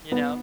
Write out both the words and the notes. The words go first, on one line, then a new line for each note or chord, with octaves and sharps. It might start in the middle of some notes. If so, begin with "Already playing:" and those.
you know?
B3